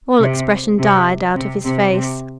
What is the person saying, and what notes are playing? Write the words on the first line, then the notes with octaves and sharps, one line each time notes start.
All expression died out of his face.
C3
C3
C3
C3
C3